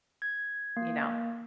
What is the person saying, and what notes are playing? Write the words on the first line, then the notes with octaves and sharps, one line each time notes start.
You know?
G#6
A#3